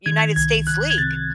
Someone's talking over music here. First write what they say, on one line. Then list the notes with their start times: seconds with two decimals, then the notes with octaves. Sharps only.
United States league,
0.06 D#3 G#6
0.36 C2 G#6
0.67 C2 F#6
0.90 G#6
0.98 C3 A6